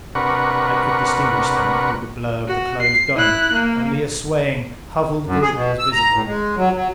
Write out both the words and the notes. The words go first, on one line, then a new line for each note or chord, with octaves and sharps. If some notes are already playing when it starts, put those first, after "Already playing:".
I could distinguish them through the blur of the closed dome--only a swaying, huddled group was visible.
C3 D4 A#4 B4 F#5 C#6
F#4
C7
E4 F#6
A#3
F#2
G#4
B2
E6
A#5
A2
G#3
F#3
F#3